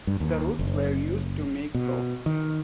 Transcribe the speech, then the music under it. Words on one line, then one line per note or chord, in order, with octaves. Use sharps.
The roots were used to make soap.
G2
D#2
F#1
B2
D#3